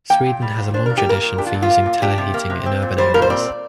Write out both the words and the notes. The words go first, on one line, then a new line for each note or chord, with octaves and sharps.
Sweden has a long tradition for using teleheating in urban areas.
A#3 G5
A#2
G3
A#2
D4 C5
A#2 A#4
G4
A#3 A#4
A#2
D4 G4
F4
A#2
F4
A#3
A#2
D4 G4
C3
A#3
C3
C4
A#2
G3 C5
A#2 A#4
C5
C4 D5